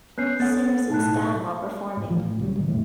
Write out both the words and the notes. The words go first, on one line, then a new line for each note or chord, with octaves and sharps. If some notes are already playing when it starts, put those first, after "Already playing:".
Singer sits down while performing.
B3 C#4 F#6 G6 C7
B3 C#4 A4 F#5 A6
B1 A2 D#4 A5 F#6
C#6
G#2
A1 F3
A2
C#2 F#3 G3
A#2 D#3 F#3 G#3
F1 B1 F2 A2